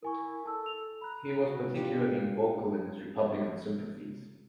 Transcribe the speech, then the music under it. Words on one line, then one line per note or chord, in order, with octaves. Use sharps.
He was particularly vocal in his republican sympathies.
E4 A#4 G#5 C#6
A4 A5 E6
F7
A#5 B5 F#6
F#4
D4 F4 G4